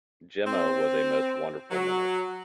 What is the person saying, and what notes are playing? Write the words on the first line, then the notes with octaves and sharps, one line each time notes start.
Jemma was a most wonderful mimic.
C4
F#3